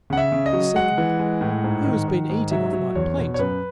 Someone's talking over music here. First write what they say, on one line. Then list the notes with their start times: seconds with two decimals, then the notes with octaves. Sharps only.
The second, "Who has been eating off my plate?"
0.10 C#3 F#5
0.17 E5
0.32 C#3
0.46 D#5
0.53 F#3
0.76 G#3 F#5
0.98 E3
1.19 G#3
1.41 A2
1.64 G#2
1.85 D#3
2.08 D#3
2.30 G#2
2.51 F#3 E5
2.73 F#3
2.95 E2 C#5
3.18 B2
3.34 C#5
3.39 F#2 B4